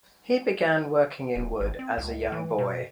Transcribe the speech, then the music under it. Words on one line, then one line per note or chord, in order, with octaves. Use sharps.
He began working in wood as a young boy.
D1
G#1
C4
C#2
E3
B2